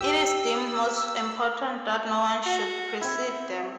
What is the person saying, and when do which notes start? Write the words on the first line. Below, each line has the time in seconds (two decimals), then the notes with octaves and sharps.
It is deemed most important that no one should precede them.
0.01 G4 E6
2.46 F#4
3.01 C4 E4 E5